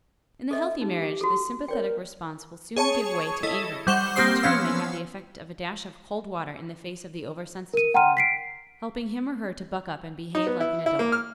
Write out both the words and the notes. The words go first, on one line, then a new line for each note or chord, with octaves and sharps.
In the healthy marriage, this sympathetic response will soon give way to anger, which in turn may have the effect of a dash of cold water in the face of the oversensitive one, helping him or her to buck up and behave like an adult.
A4 D#5 E5
D#4 G4
F#4 A4
A#4 C#5 D5 G5
G#4 C#5 A5 C#6
E4 A4 D#5
G3 C5 F#5 C#6 E7 G7
A#3 C4 G4 C5 D#6 C7
F3 B3 C#4 F5 E6
A#4 D#7
F#5 G5 A#5 C6 F6 D#7
B6 C7 D7
D#4
B3
E4
E4
A#3
F6